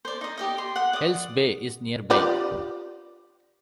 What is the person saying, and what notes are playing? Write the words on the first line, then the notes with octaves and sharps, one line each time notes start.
Hells Bay is nearby.
C5 D5
D#4 D#5
G4 D5 D#5
C6
F#5
D5 D#6
F4 G4 D5